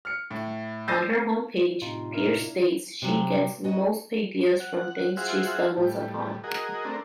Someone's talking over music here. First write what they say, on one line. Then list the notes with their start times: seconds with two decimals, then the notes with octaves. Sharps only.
On her homepage, Pierce states she gets most ideas from things she stumbles upon.
0.05 F6 C#7
0.31 A2
0.88 E6 G6 A6 A#6 C7 D#7
1.82 A2 C3 D#4 F4
2.12 D4 E4 A#4
3.02 C3 F#3
3.64 C#4 F#4 D#5
4.60 F#5
5.17 F4 F#4 G#4 C5 E5 F#5
5.77 A2 G3
6.44 F#4 G#4 A#4 D#5
6.85 A3 C4 D4 A#4